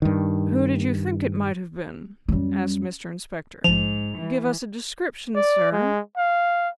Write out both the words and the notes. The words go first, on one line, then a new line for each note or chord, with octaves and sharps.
'Who did you think it might have been?' asked Mr Inspector. 'Give us a description, sir.
G2 D#3
F#2 G3
A#1 G#2 F3 F7
E3
D5
G#3
F5